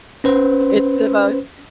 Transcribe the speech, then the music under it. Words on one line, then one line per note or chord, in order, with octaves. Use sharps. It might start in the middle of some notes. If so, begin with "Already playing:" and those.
It's the most
C#4 B4 C5